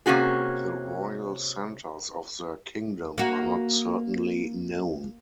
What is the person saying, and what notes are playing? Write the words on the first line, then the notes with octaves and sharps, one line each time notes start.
The royal centres of their kingdom are not certainly known.
C3 A#3 C#4 F#4 G#4
A#3 F#4